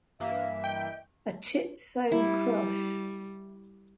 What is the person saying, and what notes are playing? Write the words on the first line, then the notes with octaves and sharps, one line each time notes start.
A Chit Sone Crush?
G2 E3 A#3 E5 F5
D#5 G5
G3 E4